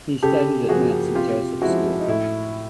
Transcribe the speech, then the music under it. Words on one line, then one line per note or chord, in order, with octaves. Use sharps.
He studied at Mount St Joseph School.
C#3 G4 A4
F3 A#3 F#4 G#4
C3 F4 G4
F3 G#3 E4 F#4
D#4
A2 E4